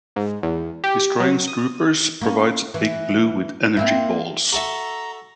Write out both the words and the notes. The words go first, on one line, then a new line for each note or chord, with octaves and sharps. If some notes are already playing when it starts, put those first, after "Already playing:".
Destroying Stroopers provides Big Blue with "energy balls".
G#2
E2
G4
F#3
D#6
A#3 C#4
E3
A#3 C4 E4
F#4 A4 E5 A#5